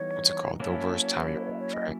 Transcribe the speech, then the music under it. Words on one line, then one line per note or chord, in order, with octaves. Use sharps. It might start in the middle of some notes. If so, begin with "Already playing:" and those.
what's it called? The worst time of your life right?
Already playing: E3 G3 B3 D#4 C#5
F#3 A#3 C#4 E4 A4 C#5
C#5
D#5